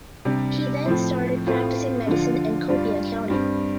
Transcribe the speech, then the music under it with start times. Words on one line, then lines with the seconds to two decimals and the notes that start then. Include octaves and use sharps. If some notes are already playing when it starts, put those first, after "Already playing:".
He then started practicing medicine in Copiah County.
0.25 C3 G3 D4
0.86 A2 F3 C4
1.47 A2 A3 C4 F4
2.07 D3 F3 D4 F4
2.69 G2 G3 D4 F4
3.30 G2 G3 C4